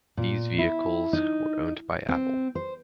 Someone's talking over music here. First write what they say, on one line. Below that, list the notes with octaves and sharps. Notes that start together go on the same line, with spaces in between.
These vehicles were owned by Apple.
A#2
E4
D#4
C4
C5